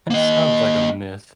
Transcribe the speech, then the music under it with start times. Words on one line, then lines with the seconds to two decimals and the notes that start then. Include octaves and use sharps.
It sounds like a myth.
0.10 A#3 D#5